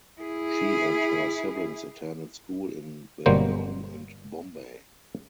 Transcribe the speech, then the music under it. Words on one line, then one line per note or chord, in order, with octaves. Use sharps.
She and her siblings attended school in Belgaum and Bombay.
E4 G#4
G1 B2 F#3 G3 A#3 C5